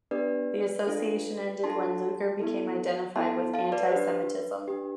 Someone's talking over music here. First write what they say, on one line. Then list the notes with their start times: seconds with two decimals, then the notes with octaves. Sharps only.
The association ended when Lueger became identified with anti-semitism.
0.11 B3 D4 G4 B4 D5
0.87 D4 F4 A4
1.64 D4 F4 A4 A5 C6
2.39 B3 E4 A4
3.16 B3 E4 A4 A5 C6
3.53 F5 A5
3.72 B4 D5
3.88 C5
3.91 D4 G4 B4
4.68 D4 G4